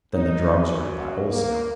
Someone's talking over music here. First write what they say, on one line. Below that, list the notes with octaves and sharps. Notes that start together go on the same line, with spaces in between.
Then the drugs ordered by wholesale.
D#4
F#2
A#3